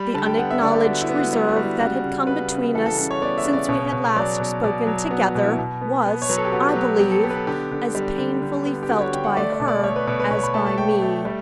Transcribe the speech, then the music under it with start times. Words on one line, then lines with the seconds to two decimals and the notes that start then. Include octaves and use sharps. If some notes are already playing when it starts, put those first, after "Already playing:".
The unacknowledged reserve that had come between us since we had last spoken together, was, I believe, as painfully felt by her as by me.
Already playing: G3 B5
0.14 D3 A5
0.26 G5
0.38 B3 F#5
0.51 E5
0.61 D3 D5
0.74 G4
0.85 B3 F#4
1.01 E4
1.09 B3
1.17 F#4
1.33 G3 E4
1.49 F#4
1.56 G3
1.64 E4
1.80 C#3 F#4
2.04 C#3
2.27 C#3 B4
2.51 C#3
2.74 E3 A4
2.86 A4
2.98 C#3 A4
3.11 C#5
3.22 B3 D5
3.38 E5
3.45 C#3
3.53 D5
3.69 B2 C#5
3.92 B2
4.16 F#3 D5
4.40 B2
4.64 B2 D5
4.87 F#3
5.11 B3 F#4
5.27 F#4
5.35 B2
5.43 E4
5.59 B2
5.81 B3
6.06 B3
6.22 C#5
6.29 F#3 B4
6.37 A4
6.45 G4
6.52 B3 F#4
6.69 G4
6.76 F#3
7.00 B3 G4
7.11 A4
7.23 B3 G4
7.30 B4
7.36 A4
7.47 D3 G4
7.72 D3
7.95 G3
8.18 D3
8.42 D3
8.65 B3
8.83 G4
8.89 D3 F#4
9.01 C#5
9.13 D3 G5
9.24 F#5
9.37 A3 D5
9.52 D5
9.60 B2
9.68 D5
9.83 A3 C#5
9.96 B4
10.07 B2 C#5
10.20 B4
10.31 B2 C#5
10.38 C#6
10.43 B5
10.54 A3 A5
10.66 A5
10.78 A3 G5
11.02 A3
11.25 G3